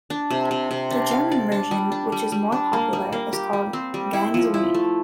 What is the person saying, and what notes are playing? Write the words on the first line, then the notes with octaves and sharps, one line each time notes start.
The German version, which is more popular, is called "Ganz Wien".
D4
C3
C3
C3
D4
F5
D5
D4
G3
D4
G3
G3
D4
A#3
G3
A#3
G4
G3
C4
G3
E4
F3
E4
A3